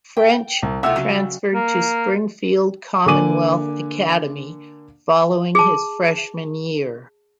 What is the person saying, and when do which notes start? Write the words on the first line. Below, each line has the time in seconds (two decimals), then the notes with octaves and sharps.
French transferred to Springfield Commonwealth Academy following his freshman year.
0.17 G5
0.63 C2
0.83 C3 A3 F4 E5 F#5 E6
0.96 C#3 F#3
1.54 A#3
3.06 D3 A#3 G#5 D6 D#7 F#7
5.55 G#4 A5